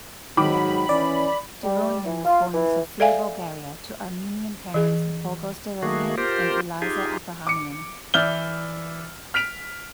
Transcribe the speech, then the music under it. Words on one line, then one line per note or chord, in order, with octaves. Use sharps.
Derounian was born in Sofia, Bulgaria to Armenian parents Boghos Derounian and Eliza Aprahamian.
G#2 D#3 F#3 B5 D6
E3 C#4 D5
G3
E3
F4
E3
A4 D5 E5 F5 G#5
E3 G#4
D#3 A3 A#3 F#4 G#4
F4 G4 A#4 C5
D#4 F4 G4 G#4
D6 C#7
E3 D5 E5 F6 G6 G7
F6 B6 D7 F7